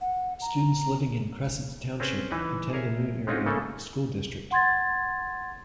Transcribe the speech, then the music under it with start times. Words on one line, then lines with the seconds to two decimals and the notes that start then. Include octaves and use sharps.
Students living in Crescent Township attend the Moon Area School District.
0.01 F#5
0.42 A#5
2.00 C4 C#4 G#4 B4
2.31 E3 D#4 B4
2.73 G#4 A#4 C#5 E5
3.27 G#3 C4 C#4 D#4 F4 F#4
3.46 C#3 A3 A#3 A4
4.51 F#5 C6 G#6 A6